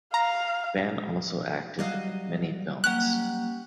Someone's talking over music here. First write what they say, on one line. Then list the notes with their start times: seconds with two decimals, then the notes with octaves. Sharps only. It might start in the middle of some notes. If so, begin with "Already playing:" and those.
Fan also acted in many films.
0.14 F5 A#5
1.79 F#3 G3 F#4 D#5 F5
2.84 A#3 C#4 G4 F#5 F#6